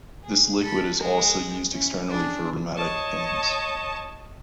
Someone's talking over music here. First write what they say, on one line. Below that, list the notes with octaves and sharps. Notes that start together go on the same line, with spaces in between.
This liquid is also used externally for rheumatic pains.
G#4
A4 B5
G#3
C#4 E4
D4 G#4
C#5 D#5 A5 C#6